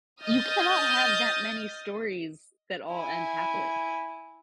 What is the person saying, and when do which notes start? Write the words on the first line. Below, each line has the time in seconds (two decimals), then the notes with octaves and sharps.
you cannot have that many stories that all end happily.
0.22 D#5 D#6 F6 G6 A6
2.93 E4 G#5